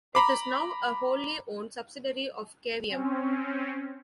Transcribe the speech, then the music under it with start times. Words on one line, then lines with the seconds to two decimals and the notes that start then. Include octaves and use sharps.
It is now a wholly owned subsidiary of Cavium.
0.15 A#5 B5 D6
2.89 C4 C#4